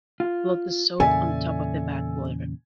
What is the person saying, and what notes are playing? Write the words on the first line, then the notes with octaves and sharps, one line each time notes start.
Float the soap on top of the bath water.
F4
E2 A#2 C#3 A4 D5 E5 G#5